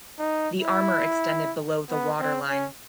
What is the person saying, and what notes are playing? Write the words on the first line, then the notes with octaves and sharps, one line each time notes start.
The armour extended below the waterline.
D#4
E4
B3
C4
C#4